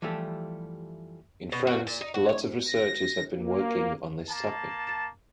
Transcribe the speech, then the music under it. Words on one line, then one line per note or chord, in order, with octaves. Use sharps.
In France a lot of researchers have been working on this topic.
E3 F3 G3 A3 G4 A4
B2
F#4
A#2
D#4
F#4
C#5
A#6
A#3
A#3 A5